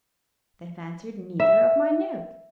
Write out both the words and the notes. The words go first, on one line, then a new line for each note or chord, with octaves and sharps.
They have answered neither of my notes.
E5